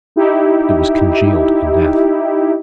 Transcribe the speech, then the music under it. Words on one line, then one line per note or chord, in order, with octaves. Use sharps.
It was congealed in death.
D#4 E4 G4